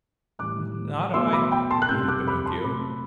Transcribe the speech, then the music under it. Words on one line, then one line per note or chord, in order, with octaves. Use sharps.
"Not I," repeated Pinocchio.
A2 E3 G3 D6 F#6
B2 F#3 A3 C6 E6
B5 D6
G5 B5
A5 C6
F#6
C3 G3 E6 G6
D6 F#6
B5 D6
A5 C6
C3 F#3 A3 B5 D6